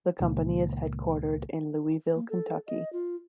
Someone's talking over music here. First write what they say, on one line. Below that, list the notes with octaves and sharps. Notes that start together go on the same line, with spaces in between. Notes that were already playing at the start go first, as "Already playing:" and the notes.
The company is headquartered in Louisville, Kentucky.
C#2 A#2 D#3
A#3
A4
D#5
F4